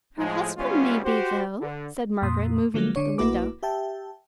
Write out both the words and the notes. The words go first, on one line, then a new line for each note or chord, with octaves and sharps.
"Her husband may be, though," said Margaret, moving to the window.
A2 F3 G#3
D2 G3 G#3 B3 C#4 F4
F#4 G4 C5
D3
F2 A#2 C6 D#6
D3 F3 F#3 G#3 A#3
D3 D4 C#5
A#1 A#3 E4 F#4 B4 D6
G4 E5 G5 A5